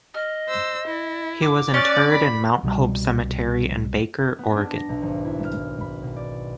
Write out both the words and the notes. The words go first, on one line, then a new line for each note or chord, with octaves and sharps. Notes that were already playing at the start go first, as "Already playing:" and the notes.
He was interred in Mount Hope Cemetery in Baker, Oregon.
D#5 F6
C5 E6
E4
D6
C#4 D5 F#6 A6
B5
C2 B2 D#3 G3
B3
D4
A#6
B1
G#1
E4
F6
B5
B2
D5